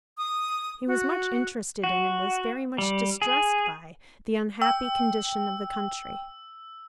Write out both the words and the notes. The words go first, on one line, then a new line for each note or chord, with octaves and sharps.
He was much interested in, and was very much distressed by, the unhappy condition of the country.
D#6
F#4
F#4
G3
G#4
G5 E6